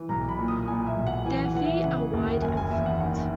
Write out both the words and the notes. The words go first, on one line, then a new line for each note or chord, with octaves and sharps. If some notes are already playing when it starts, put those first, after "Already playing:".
Their feet are wide and flat.
Already playing: E3
B1 A#5
B5
A#2
D#6
A#2 G#5
E5
B1
F#5
E3 G#5
F#5
E3 F#5
E5
C#3 F#5
D#2
F#1 G#5
G#5
E2 E5
F#5
D#3 F#5